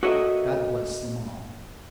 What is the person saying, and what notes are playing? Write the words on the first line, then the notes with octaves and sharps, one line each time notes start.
God bless them all.
F#4 A4 A#4 C#5 D#5 E5